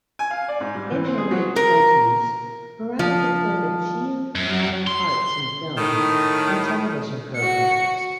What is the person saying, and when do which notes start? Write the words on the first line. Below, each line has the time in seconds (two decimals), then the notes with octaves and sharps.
In her mid-twenties, Veronica played a few minor parts in films and television programmes.
0.19 G#5
0.31 F5
0.48 D5
0.60 G#2
0.75 G3
0.91 E3
1.04 C4
1.18 G#4
1.31 F#3
1.56 A#4
2.99 F3
4.36 F#2
4.87 C6
5.77 A2 D#3
7.36 F#4 C#7